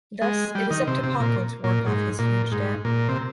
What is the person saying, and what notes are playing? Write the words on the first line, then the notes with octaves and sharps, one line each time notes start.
Thus, it is up to Pockle to work off his huge debt.
G#3
G3
D#3
C3
C3
A#2
A#2
G#2
A#2
G#2
A#2
C3